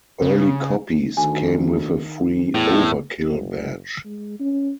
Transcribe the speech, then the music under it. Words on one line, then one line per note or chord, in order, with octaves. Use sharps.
Early copies came with a free "Overkill" badge.
C#3
D2 D#3 G#5
E2 A2
F#1
G#3
C#4